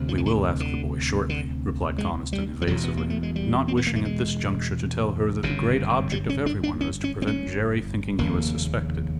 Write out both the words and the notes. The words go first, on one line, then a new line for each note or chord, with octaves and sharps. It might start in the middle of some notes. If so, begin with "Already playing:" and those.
"We will ask the boy shortly," replied Conniston, evasively, not wishing at this juncture to tell her that the great object of everyone was to prevent Jerry thinking he was suspected.
Already playing: D2 C3
F3
E3
D#3
D3
D3
G#3
G3
F3
E1 E2 B2 F#3
B3
A#3
A3
G#3
G3
C4
B3
A#3
A3
G#3
G1 F#2 C#3
G3
C#4
D4
D4
C#4
C#4
C4
C#4
F1 D#2 C#3 A#3